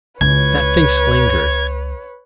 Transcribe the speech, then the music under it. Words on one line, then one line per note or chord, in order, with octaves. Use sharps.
That face lingered.
C#2 E4 B4 C#5 G#6